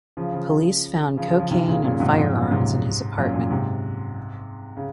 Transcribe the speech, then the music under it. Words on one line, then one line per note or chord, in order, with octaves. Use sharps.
Police found cocaine and firearms in his apartment.
C#3 F3
C#3 F3
C#3 F3
C#3 F3
C#3 F3
C3 D#3
A#2 C#3
F#2 A#2
G#2 C3
F2 G#2
F#2 A#2
G#2 C3
F#2 A#2
F#2 A#2
G#2 C3
C#3